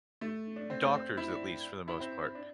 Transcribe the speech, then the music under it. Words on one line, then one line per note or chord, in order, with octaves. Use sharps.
e doctors, at least for the most part,
A3
D4
C4
A3
C4
E4
D4
E4
C4
D4